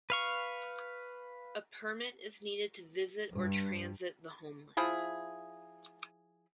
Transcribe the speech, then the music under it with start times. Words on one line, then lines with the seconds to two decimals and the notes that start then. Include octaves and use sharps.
A permit is needed to visit or transit the homeland.
0.10 B4 F5 C#6
3.32 G2
4.77 F3 E4 G#4